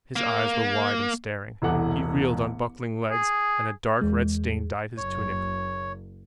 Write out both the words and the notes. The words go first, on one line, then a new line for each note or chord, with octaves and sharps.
His eyes were wide and staring; he reeled on buckling legs, and a dark red stain dyed his tunic.
A#3
E1 C2 E3 A4 F#5 D6
G#4
E2 G#3
F#1 C#5